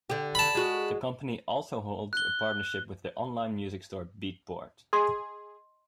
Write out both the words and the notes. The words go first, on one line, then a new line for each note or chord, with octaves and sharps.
The company also holds a partnership with the online music store Beatport.
D3 G4
A5 B5
G#3 F#4
F#6 G7
G#4 D#5 C6